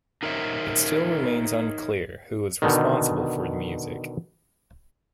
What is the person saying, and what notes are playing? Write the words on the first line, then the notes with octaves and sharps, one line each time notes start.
It still remains unclear who was responsible for the music.
D#4 A#4 C5 C#5 E5
B2 D3 D#3